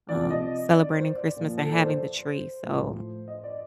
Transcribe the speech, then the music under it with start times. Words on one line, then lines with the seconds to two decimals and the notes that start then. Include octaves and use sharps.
um, celebrating Christmas and having the tree, so
0.09 C3 F3 D5
0.30 D#5
0.72 D5
0.93 C5
1.15 D5
1.36 A#2 F3
1.58 A4
1.72 D5
1.79 C5
2.64 A2 F3
3.28 D#5
3.44 D5